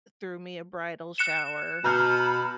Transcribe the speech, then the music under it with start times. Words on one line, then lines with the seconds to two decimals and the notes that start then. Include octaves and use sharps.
threw me a bridal shower,
1.18 F#6 C#7 E7
1.84 B2 A#5 B5 F6 G6